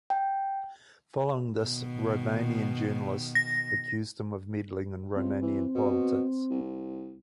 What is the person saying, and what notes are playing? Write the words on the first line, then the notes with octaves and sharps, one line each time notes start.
Following this, Romanian journalists accused him of meddling in Romanian politics.
G5
B2 D#3
A#6
C#2 C4
E3
B2
C2